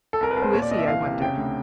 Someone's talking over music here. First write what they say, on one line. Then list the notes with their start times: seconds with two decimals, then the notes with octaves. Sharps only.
"Who is he, I wonder?"
0.13 A4
0.21 C2 A#4
0.31 B4
0.36 C2
0.42 C5
0.53 A#2 C#5
0.62 D5
0.71 C2 D#5
0.78 E5
0.87 E3 F5
1.05 C3
1.22 C#3 G5
1.37 D2